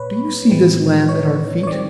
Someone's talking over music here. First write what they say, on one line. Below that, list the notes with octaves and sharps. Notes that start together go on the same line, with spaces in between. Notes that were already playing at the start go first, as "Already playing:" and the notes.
'Do you see this land at our feet?'
Already playing: A#2 B4 C#5
A2 E3 G#3 C4
C#5
C#5
D#3 G3 C4 D5